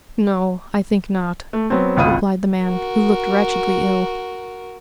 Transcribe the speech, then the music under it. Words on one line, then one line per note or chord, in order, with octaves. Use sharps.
"No, I think not," replied the man, who looked wretchedly ill.
A3
F#3 B3 C4
G#1 C#2 F4 D#6 D#7
F#4 A#4